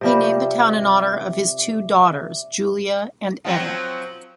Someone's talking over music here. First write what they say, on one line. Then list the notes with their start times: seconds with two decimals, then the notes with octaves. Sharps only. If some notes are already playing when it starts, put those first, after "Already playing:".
He named the town in honor of his two daughters, Julia and Etta.
0.01 C3 F3 G3 D5 E5 D6
3.45 F3 F#3 C4